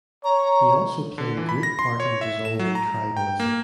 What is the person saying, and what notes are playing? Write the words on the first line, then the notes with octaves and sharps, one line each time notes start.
He also played a great part in dissolving tribalism.
C#5 A#5
D3
E3
B5
A#6
C6
C#5
E5
E7
F#3
A#5
G5
A#3